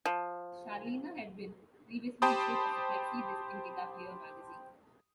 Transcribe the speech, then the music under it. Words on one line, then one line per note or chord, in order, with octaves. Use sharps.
"Sharleena" had been previously issued as a flexi disc in "Guitar Player" magazine.
F3
G4 C5 G5 A5 B5 D#6